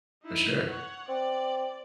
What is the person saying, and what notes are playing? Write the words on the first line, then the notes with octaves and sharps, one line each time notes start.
For sure.
D#4 E4
C#5 F#5
C4 D5